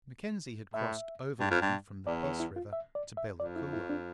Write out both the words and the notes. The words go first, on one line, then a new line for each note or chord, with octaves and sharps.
Mackenzie had crossed overland from the Peace river to Bella Coola.
A2 E5
G2
F2
G2
E2 D5
C#5
E4
F4
E5
D5
E5
F2 D5
E4
E4
D4